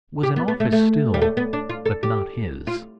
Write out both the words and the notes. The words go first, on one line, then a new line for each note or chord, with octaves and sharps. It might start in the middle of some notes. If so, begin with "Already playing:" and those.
It was an office still, but not his.
G4
B3
B3
A3
A3
G3
A3
B3
D4
F4
A4
G4
F4